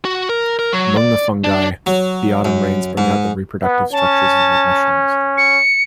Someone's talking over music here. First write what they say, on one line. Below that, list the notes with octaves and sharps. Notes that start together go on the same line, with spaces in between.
Among the fungi, the autumn rains bring out the reproductive structures of the mushrooms.
F#4
A#4
A#4
F#3
D5
D4
F#3
F#2
G#2
B3
C#4 A5
C#7